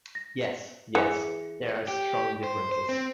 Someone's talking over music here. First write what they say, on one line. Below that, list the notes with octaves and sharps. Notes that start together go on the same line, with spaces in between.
Yes, yes, there are strong differences.
A#6
E3 G#4 C#7
G4
C5
C5
C4